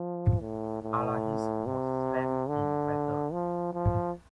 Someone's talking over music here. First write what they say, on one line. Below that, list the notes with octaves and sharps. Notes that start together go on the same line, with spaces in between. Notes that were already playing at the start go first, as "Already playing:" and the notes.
Alahis was slain in battle.
Already playing: F3
A2
A2
C3
D3
F3
F3